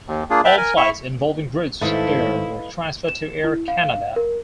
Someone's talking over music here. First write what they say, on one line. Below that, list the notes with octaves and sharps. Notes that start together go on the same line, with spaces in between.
All flights involving Roots Air were transferred to Air Canada.
D#2
A#3 D4 F4 G#4
B4 E5 G5 A5 B5
A#4 G#5
E4 E5 C#6
G#2 D#3 A3 E4 B4 C5 D#5 F5
E7
E4
F5
A#4